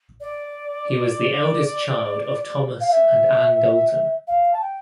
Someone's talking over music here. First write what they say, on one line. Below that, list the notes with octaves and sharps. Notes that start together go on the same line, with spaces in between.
He was the eldest child of Thomas and Ann Dalton.
D5
F5
E5
F5
A5
G5